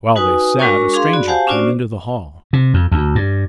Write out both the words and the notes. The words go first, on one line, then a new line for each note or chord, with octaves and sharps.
While they sat, a stranger came into the hall.
D#4 F#4 B4 G#5 D#6
G#3 D4 F#4 A#4 C#5 C#6
D4 G#4 F5 C6
F#4 D5 B5
G4 C5 F5 F#5 G#5 A5
C#4 D4 F4 F#4 C5 D5
C3
F2
D2
G2